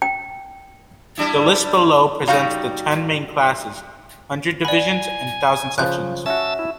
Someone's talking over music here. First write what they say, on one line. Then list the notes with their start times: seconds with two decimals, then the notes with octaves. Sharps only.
The list below presents the ten main classes, hundred divisions, and thousand sections.
0.02 G5
1.18 G3 D4 E4
2.27 G3 D#4 F#4 F5 A#5
4.65 D5 F#5 G#5 B5
5.78 C#3 F3 F#6 G6
6.26 C#4 F#4 E5 A5 E6
6.59 E4